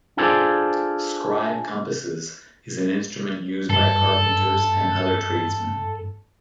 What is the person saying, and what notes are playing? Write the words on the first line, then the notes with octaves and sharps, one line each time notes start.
Scribe-compasses is an instrument used by carpenters and other tradesmen.
D4 F4 G#4 A4 C5 D5
G2 A4